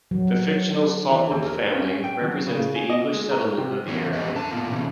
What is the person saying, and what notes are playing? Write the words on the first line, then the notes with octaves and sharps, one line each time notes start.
The fictional Saltwood family represents the English settlement of the area.
F#3
E3
D#2
A#4
C#4
G5
F#3
C#3
G#5
D#5
G#3
A#5
C3
E3 B3 C#4 C#5
B3 C#4 G4 A#4 D#5 E5
D3 A5
A#2 A#3 B3 F4
C3 E3 C#4